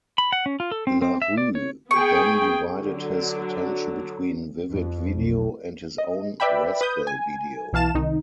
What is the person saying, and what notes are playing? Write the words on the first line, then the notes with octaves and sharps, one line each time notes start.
LaRue then divided his attention between Vivid Video; and his own Rascal Video.
B5
F#5
C#4
F4
A4
C4
C4
E5
D5
C#5
B3 G#4 G5 C#6
D3 F#3
F2
B1
D#5
B4 D5 E5 G5 B5
B4 D#6 G6
G#5
B1 E3 F5 A5 E7
C2 D#3 D#4